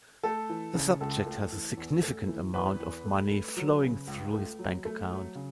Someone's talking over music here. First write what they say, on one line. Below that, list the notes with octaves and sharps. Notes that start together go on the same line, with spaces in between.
The subject has a significant amount of money flowing through his bank account.
A3 A4
E3
C#3
C#2 A4
A3
E3
E2
A3
E3
E2 B4
E2
A3
A3
F#3
C#3
C#2
A3
F#3
A3
F#3
C#3